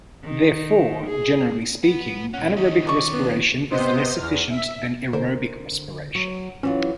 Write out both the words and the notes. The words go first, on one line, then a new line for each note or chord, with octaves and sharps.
Therefore, generally speaking, anaerobic respiration is less efficient than aerobic respiration.
D#3
G#4
B4 F#5
A#2 C#4 F#5
D#3 C#4 D#5
D5 C#6
B3
C3 B3 C5 D#5 C6 G6
E2 F6
E5 B6
D3 A#4 C5
F#3
E3 F#3 C#4 F4